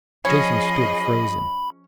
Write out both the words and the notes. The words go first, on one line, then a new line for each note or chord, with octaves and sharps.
Jason stood, frozen.
F3 C#4 G#4 D#5 B5